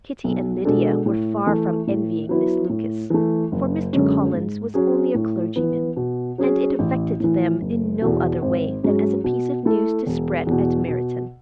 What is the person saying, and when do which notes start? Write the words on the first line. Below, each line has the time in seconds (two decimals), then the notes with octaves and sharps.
Kitty and Lydia were far from envying Miss Lucas, for Mr. Collins was only a clergyman; and it affected them in no other way than as a piece of news to spread at Meryton.
0.24 B1
0.65 B2 G#3 D4 A4
1.06 A2
1.46 E3 A3
1.87 A2
2.29 F#3 B3 E4
2.69 A2
3.10 E3 A3
3.52 F#1
3.93 F#2 D3 G#3 C#4
4.33 G#2
4.74 F#3 C#4 G#4
5.15 A2
5.56 E3 B3
5.97 B2
6.38 F#3 C#4 G#4
6.79 A1
7.20 A2 E3
7.61 F#1
8.02 E2 B2
8.42 G#1
8.83 G#2 F#3 C#4 G#4
9.24 B2
9.65 A3 E4 A4
10.06 E1
10.47 E2 B2
10.88 B2